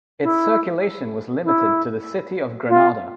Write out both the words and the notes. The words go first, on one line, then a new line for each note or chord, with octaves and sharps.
Its circulation was limited to the city of Granada.
E4
E4
F4